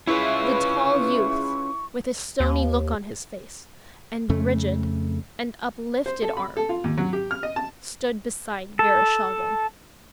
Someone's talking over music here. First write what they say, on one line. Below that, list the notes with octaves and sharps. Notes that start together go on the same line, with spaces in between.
The tall youth, with a stony look on his face, and rigid and uplifted arm, stood beside Vereshchagin.
C#4 E4 F4 G#4 B4 C#6
D#2
F2 C#3 A3
C5
A4
B5
A4
F4
D#2
F#3
G4
F6
D#5
A5
A4